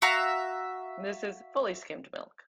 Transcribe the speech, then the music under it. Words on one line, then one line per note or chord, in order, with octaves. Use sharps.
This is fully skimmed milk.
F#4 E5 F5 A#5